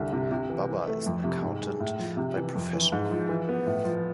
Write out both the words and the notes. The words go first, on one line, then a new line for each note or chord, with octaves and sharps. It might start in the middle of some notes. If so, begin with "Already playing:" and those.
Baba is an Accountant by Profession.
Already playing: C2 D3
C3
C3
E3
E3
A3
F2
C3
G#2
G#3
A2
F3
C3
E3
F2
E3
G#2
F3
E3
B3
A2
F3